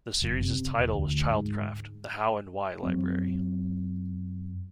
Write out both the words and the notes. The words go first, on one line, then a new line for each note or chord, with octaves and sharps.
The series' title was Childcraft - The How and Why Library.
F#1
C3
E1
D2
G#2
F#2 F#3 C4